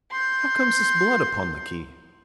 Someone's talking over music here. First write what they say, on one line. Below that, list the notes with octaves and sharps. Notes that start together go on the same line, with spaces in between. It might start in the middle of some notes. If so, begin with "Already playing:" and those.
"How comes this blood upon the key?"
C6 G6